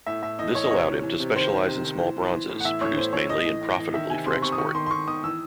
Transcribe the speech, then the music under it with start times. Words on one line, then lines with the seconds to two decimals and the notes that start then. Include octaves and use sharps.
This allowed him to specialize in small bronzes, produced mainly and profitably for export.
0.06 A2 E5
0.23 A2 E5
0.39 A2 D#5
0.55 E3 C#5
0.64 D#5
0.71 C3 C#5
0.87 E3
1.03 E3
1.20 C3
1.36 D#3 C5
1.52 D#3
1.68 C3
1.85 D#3
2.01 E3
2.17 E3
2.32 E3
2.49 A2
2.60 F#5
2.65 E3 E5
2.81 A2 C#5
2.97 E3 C5
3.13 A2 C#5
3.29 A2 D#5
3.46 E3
3.61 A2
3.78 E3
3.94 D#3 E5
4.10 C3 G#5
4.26 C3 C6
4.42 C3 C#6
4.52 D#6
4.59 D#3 C#6
4.75 D#3 C6
4.86 C6
4.91 D#3 C#6
5.07 D#3 D#6
5.23 E3 E6